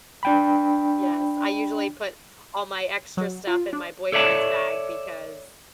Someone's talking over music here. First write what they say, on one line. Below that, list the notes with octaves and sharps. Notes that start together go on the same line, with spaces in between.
Yes, I usually put all my extra stuff in my boyfriend's bag because
D4 G5 B5
F#3
F4
D4
A4 C#5 D5 E5 A5